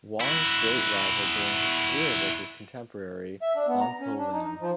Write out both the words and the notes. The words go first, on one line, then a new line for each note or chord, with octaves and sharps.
Wong's great rival during his career was his contemporary Ong Poh Lim.
E4 F#4
E5
D4
B3
A#5
C#4
D4
D#4
F3